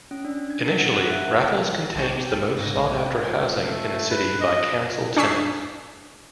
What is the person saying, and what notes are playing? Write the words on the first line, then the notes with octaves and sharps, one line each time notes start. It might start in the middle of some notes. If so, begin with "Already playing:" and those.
Initially Raffles contained the most sought after housing in the city by council tenants.
C#4
D4
G#6
A#4
F#5
F#6
E5
D#5
B1 G#2 G#5 A5 C#6 G6
G4
G5 A5 F6
A2 C#7
G#2 C#3 A#6
A#1 G#3
A3
B4
D#5
D4 G#4 C#6 E6 B6 C7